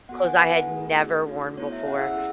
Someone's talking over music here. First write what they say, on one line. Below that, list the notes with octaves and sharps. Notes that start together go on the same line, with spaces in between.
Clothes I had never worn before.
B3 F#4 A4 F#5
G#5
F#5
B3 E4 A4 B4
A3 E4 G#4
C#4 F#4 A4
A3 D#4 F#4 A4
B3 E4 A4 C#5
E5
C#4 E4 G#4 F#5
E6
A4